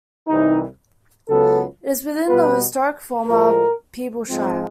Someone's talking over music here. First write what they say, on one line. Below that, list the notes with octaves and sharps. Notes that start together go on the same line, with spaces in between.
It is within the historic former Peeblesshire.
C2 C3 E3 D#4
C#2 C#3 F#3 B3 A4
B2 G3 B3 B4
A2 F3 G#3 A#4
G#2 F3 G#3 C4